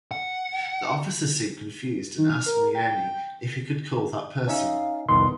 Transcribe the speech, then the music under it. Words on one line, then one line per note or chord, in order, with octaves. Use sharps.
The officer seemed confused and asked Myeni if he could call that person.
F#5
D#3
F6
A#4
G5
C#4 D#4 E5 F5
C2 F2 D#3 B3 C6